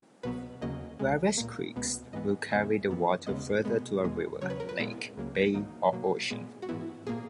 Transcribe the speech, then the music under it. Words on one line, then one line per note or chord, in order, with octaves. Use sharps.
Various creeks will carry the water further to a river, lake, bay, or ocean.
C#2 B2 F#3 B3 B4
D#2 C#3 F#3 A#3 D#5
C#2 B2 G#3
A#2 A#3
C#2 B2 G#3 B3
G#2 E3 G#3 B3 D#5
E2 C#3 G#3 B3 E5
F#2 E3 B3
D#2 C#3 G#3 B3 D#5
B2 G#3 B3
E2 B2 G#3
D#2 C#3 F#3 C#5
B4
A#4
B4
A#2 G#3 B3 E4
C#2 C#3 F#3 A#3
G#2 D#3 F#3 A#3 D#4
B2 F#3 A#3
A#2 G#3 B3
F#4
G#2 E3 B3 E4
A#2 A#3 G#4